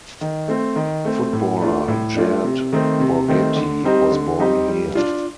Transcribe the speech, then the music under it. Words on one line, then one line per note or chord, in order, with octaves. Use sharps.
Footballer Jared Borgetti was born here.
D#3
A3 C4
D#3
A3 C4
A2
A3 D4 F4
A2
A3 D4 F4
C3
D#3 A3 C4
C3
D#3 A3 C4
D3
G3 C4 D#4 G4
D3
G3 C4 D#4 G4
G3
D4 F4